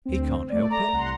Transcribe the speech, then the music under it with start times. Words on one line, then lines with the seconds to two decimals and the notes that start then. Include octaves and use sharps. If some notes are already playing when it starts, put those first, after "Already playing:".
He can't help it.
0.05 D2 C4
0.49 A3 D5
0.70 A#5
0.93 C2 F#5 C6